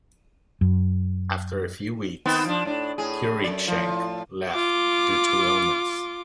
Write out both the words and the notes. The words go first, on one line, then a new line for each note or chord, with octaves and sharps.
After a few weeks, Cruikshank left due to illness.
F#2
D#3 B3 C4
F3 D4
A2 D4
A2 G#4
F#2 D5
A2 F3
F4 D6